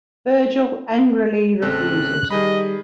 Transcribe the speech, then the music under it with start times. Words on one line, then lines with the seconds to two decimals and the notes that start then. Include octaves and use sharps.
Virgil angrily refuses.
1.62 A1 C#3 C4 A4 F#6
2.31 D#3 G3 G#4 D#5 B5